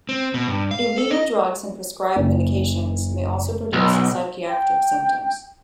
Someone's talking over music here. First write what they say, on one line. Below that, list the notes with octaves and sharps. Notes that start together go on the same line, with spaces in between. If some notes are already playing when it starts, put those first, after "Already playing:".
Illegal drugs and prescribed medications may also produce psychiatric symptoms.
C4
B2
G2
F5
A4
D#5
F#1
B1
G5